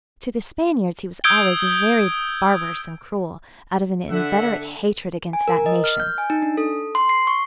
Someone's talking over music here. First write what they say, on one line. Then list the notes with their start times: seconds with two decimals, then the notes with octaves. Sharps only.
To the Spaniards he was always very barbarous and cruel, out of an inveterate hatred against that nation.
1.24 D#6 E6 G6 G#6 D7 G7
4.10 D3 E5 F#5
5.33 G#5
5.48 A#4
5.66 D#5
5.84 F6
6.00 G6
6.18 G#5
6.30 D#4
6.42 D4
6.57 A4
6.95 C6
7.09 C7
7.27 C#6